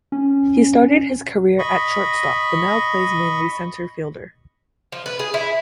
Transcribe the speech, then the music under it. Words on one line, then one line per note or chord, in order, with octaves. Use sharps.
He started his career at shortstop but now plays mainly center fielder.
C#4
D#5 B5 C#6
F3
B4
G#4
E4